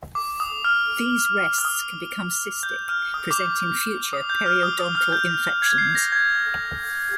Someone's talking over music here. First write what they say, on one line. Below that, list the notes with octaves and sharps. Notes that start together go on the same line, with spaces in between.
These rests can become cystic, presenting future periodontal infections.
D6
D#6
F6
F6
D#6
G6
F6
D#6
D6
D6
D#6
G6
F6
D#6
D#6
F6
G6
G#6
C7
A#6
G#6